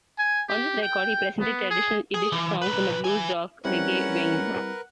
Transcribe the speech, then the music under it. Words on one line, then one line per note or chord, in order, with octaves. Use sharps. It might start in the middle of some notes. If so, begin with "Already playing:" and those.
On this record he presented traditional Yiddish songs in a blues-rock-reggae vein.
G#5
G4
G5
B3
G#4
G#4
E3
B1 B4
B4 G#5
G3 C4 C#4 E4 A#4 B4 F#5